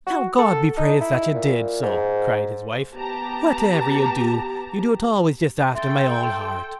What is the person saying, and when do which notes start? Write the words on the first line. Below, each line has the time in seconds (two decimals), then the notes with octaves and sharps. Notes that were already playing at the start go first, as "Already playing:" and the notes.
'Now, God be praised that you did so!' cried his wife; 'whatever you do, you do it always just after my own heart.
0.07 F#4
0.39 A4
0.77 D#4
1.01 E4
1.34 A#2
1.83 G#2
2.93 B3 G4 A5 A#5
5.75 A4 E5 G5 C6 A6